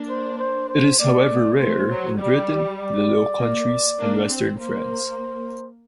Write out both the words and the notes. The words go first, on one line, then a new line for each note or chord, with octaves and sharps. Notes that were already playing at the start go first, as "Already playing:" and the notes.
It is however rare in Britain, the Low Countries and western France.
Already playing: A#3 D4
C5
C5
C5
A#3 D5
A3
A3 C5
F#3
G3 D5
D5
A#3
A#3 D4
C4
A#3 C5